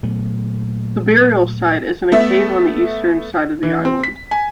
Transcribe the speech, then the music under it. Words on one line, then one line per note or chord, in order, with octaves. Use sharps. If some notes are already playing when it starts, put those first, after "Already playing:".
The burial site is in a cave on the eastern side of the island.
A#2 F#3 A3 B3
A3 B3 E5
E3
C4
B6
G#5